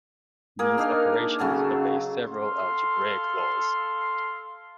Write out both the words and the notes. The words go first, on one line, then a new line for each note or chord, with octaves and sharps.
These operations obey several algebraic laws.
A#3 G#4 A#4
D4 D#4 F5 G#5
C#3 F#3 A4 G#5
A4 F5 C6